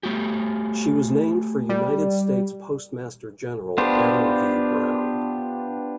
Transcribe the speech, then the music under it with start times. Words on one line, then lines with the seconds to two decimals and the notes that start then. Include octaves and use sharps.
She was named for United States Postmaster General Aaron V. Brown.
0.03 A3 F#4 G4
1.69 G3
3.78 B3 D4 F4 G4 C5